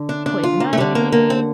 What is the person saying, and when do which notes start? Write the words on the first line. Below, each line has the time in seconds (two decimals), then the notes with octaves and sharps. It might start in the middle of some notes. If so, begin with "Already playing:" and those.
poison ivy,
Already playing: D3
0.09 D4
0.26 D4
0.43 F4
0.60 A#3
0.73 A3
0.77 D#2 D3 G3
0.95 A#3
1.12 A#3
1.30 C4